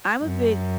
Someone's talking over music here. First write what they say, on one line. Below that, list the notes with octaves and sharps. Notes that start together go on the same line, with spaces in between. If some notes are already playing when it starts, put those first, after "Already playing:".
I'm a big
F#2